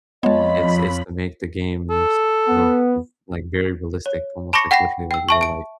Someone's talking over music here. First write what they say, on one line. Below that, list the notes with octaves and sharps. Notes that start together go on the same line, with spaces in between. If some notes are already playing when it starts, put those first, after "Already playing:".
it's it's to make the games look f like, very realistic, almost, like, literally, like, real life,
F2 G#3 B3 F4 C#5 D#5 A5 B5
A4
B3
C#5
A5 B5 C#6 D6 A#6 C#7
F#5 G5 B5 A#6 C7
G5 E6
E5 A5 C#6
A5 D7